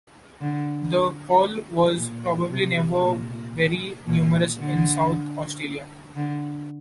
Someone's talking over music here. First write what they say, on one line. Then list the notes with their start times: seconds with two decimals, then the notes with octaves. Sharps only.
The quoll was probably never very numerous in South Australia.
0.41 D3
1.98 A#2
2.50 C3
3.02 A#2
4.06 A#2
4.59 D3
6.16 D3